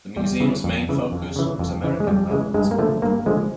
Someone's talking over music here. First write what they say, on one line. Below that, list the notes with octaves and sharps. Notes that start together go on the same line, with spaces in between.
The museum's main focus was American art.
E2 G3
C#3 E3
F2
C#3 E3
F2
C#3 E3
F2
C#3 E3
G#3
F2 G3
C#3 E3 G#3
G2 G#3
A#3
D3 F3 A3
G2 A#3
D3 F3 G#3